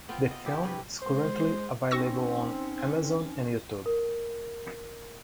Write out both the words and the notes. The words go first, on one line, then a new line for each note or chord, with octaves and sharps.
The film is currently available on Amazon and YouTube.
B3 C4 F4 G5
D#5
E4 G4 G#4
G2 C3 B4
G#3 C5
C4 C#4 D#4 C#6 E6 A#6
A#4